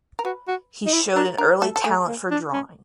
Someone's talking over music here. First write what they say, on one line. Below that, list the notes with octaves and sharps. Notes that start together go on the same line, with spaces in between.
He showed an early talent for drawing.
A#4
F#4 B4
F#4
D#4
E4
D4 A#4
D4 A#4
A3 A4
A4
A3 G#4
A#3
D4
C#4